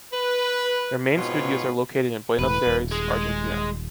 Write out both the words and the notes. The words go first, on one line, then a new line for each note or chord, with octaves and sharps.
Their main studios are located in Buenos Aires, Argentina.
B4
G#2 B2 C4 F4 B4 C#5
E1 A2 B4
D#1
G#3